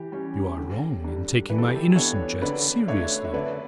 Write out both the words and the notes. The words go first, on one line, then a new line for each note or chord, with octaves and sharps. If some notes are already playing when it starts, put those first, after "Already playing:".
"You are wrong in taking my innocent jests seriously."
Already playing: E3 G4
G3 C#4
D3
G3 D4
E3 B4
A4
G4
A4
B3 D4 A4 C#5
D3 B4 D5
A3 D4 C#5 E5
E5
D3 B4 D5